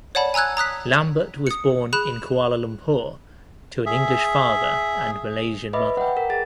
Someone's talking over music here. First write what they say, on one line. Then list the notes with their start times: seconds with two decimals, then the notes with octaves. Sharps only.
Lambert was born in Kuala Lumpur to an English father and Malaysian mother.
0.15 C#5 D5 F#5 A5 B5
0.34 G#5 A#5 E6 F#6 G#6
0.57 A#5 D#6 F#6 B6
1.47 D#6 C#7
1.93 G#4 B5 F#6 E7
3.86 G#4 E5
5.73 B4 D#5 E5 B5 D6
5.97 F#5 G5
6.17 A#4
6.30 G#4 A6